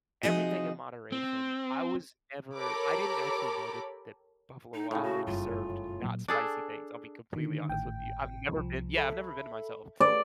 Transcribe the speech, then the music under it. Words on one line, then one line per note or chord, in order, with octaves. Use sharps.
everything in moderation, I was never I didn't actually know that that Buffalo Wild Wings served not spicy things, I'll be completely honest with you, I've never been yeah, I've never been there myself,
C3 F3 D#4 F#4 G#4
C4
G4 A4 A#4 C#5 B5 D6
D#4
A2 C#3 D#4
F#4
F#1 G2 F4
A#2 F#3 A#3
D4 G#4 A4
D3 D#3
G#1 A2 G5
C2 F3
A4 E5 B5
G#4 A4 B4 D5